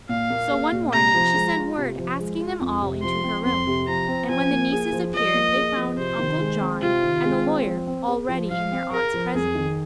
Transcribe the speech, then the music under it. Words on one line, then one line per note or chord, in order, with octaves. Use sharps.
So one morning she sent word asking them all into her room, and when the nieces appeared they found Uncle John and the lawyer already in their aunt's presence.
A#2 F5
A#3
G#4
A#2
C3 A#5
F3
G#3
F4
C3
F3
G#3
F4
F2
C3
F3 C6
C4
F2 C6
C3
F3 A#5
C4
F3 G#5
A#3
G#4
F3
F3 D#5
A#3
G#4
F3
C3 C5
D#3
G#3
C4
C3 F4
D#3
G#3
C4
F3
C4
G#4
F3
F3 F5
C4
G#4 A#4
F3
F2 G#4
D#3